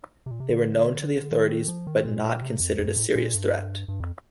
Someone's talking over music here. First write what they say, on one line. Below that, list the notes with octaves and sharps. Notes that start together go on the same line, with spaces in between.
They were known to the authorities but not considered a serious threat.
C3
A#2
C3
D3
D#3
F3
D#3
A#2
C3
F2
F2
G2
A2
A#2
G2
G2
F2